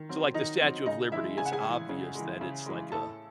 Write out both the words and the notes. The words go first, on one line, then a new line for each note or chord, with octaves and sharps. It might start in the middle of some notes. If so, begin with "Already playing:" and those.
So, like, the Statue of Liberty, it's obvious that it's like a,
Already playing: D#3
F#3 C4
D#3 D#4 D#5
F#3 C4
C#3 D#4 D#5
E3 G#3 E4 E5
C#3 G#5
F#5
G#4 G#5
E3 G#3
C#3
E3 G#3
C#3
E3 G#3
A2 A4 A5